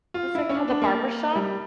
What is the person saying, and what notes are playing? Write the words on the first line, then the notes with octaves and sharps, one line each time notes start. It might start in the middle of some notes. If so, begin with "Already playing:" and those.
what's it called, The Barbershop?
F4
E4
C#4
D4
D4
A#3
G3